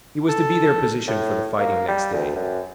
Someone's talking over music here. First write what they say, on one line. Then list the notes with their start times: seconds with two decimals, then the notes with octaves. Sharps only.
It was to be their position for the fighting next day.
0.28 A4
1.08 A2
1.58 A#3
1.88 G3
2.14 D2
2.36 F#2